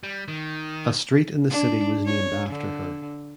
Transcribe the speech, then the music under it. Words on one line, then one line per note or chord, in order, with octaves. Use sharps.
A street in the city was named after her.
G3
D#3
D4
C#5
D3